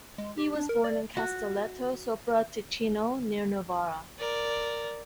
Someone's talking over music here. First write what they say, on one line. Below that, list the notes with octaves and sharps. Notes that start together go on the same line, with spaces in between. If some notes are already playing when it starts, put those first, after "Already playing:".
He was born in Castelletto sopra Ticino, near Novara.
G#3
G4
D4
A#4
D5
F#4
A#4 D5